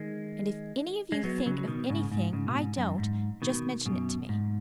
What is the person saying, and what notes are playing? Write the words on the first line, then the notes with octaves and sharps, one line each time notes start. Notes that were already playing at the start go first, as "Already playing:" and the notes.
And if any of you think of anything I don't, just mention it to me.
Already playing: D#3 G#3
G#3
F#3 B3
C#3 F#3
F#3
B2 D#3
G#2 C#3
G#2
G#2 C#3
B2
G#2
F#2
G#2
B2 D#3
F#2 B2
G#2